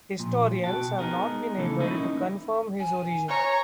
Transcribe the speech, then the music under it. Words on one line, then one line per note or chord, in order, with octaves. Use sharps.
Historians have not been able to confirm his origin.
A#2 F3
B2 F#4 G5 A5
B3 D#4 G#4 A#4
C#3 E3 A3 A4
A#3 C#4 D#4 E4 A#4 D#5
G#5
C#5 A#5